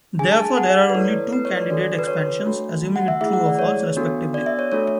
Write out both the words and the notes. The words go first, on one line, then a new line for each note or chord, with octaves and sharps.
Therefore, there are only two candidate expansions, assuming it true or false, respectively.
D4 G#4 G#5
A5
G#5
F#5
D5
D5
B4
A3 E4 A4 C#5
B4
C#5
D5
D4 F#4 A4 D5
B4
C#5
A3 D4 F#4 A4
F#5
E5
A3 E4 G#4 E5
F#5
D5
C#5
B3 D4 F#4 A4
D5
E5
C#5
A3 D4 F#4 A4 C#5